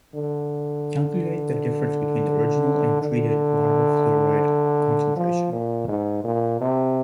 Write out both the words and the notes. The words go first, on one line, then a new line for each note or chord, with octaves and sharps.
Calculate the difference between the original and treated water fluoride concentration.
D3
D3
F3
A#2
G#2
A#2
C3